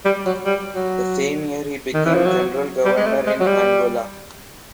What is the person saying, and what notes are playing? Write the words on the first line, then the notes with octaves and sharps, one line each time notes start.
That same year, he became General Governor in Angola.
G3
F#3
G3
F#3
D#3
E3
F3
F#3
G3
G#3
A3
G#3
F#3
G3